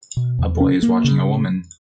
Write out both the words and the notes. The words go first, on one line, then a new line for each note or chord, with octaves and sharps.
A boy is watching a woman.
B2
E2
C#4
A#3
C#3